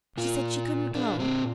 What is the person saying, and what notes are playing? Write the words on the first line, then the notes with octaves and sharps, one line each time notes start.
She said she couldn't go.
A#2 F4
A#2 D4
C4